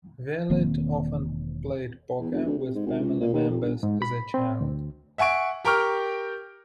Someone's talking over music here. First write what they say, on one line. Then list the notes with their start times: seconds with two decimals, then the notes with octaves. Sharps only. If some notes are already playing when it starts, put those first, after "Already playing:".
Violette often played poker with family members as a child.
0.50 E1 D#3 A#3 C4
2.20 E2
2.31 F1
2.45 D2
2.58 C3
2.74 G#2
2.86 G#1
3.00 C#2
3.20 A#2
3.33 D#2
3.49 F2
3.61 G1
3.83 G#2
4.02 B5
4.34 C4
4.61 D2
5.18 E5 F#5 G#5 C#6 D7
5.65 G4 A#4 G5 A#5 C#6 F6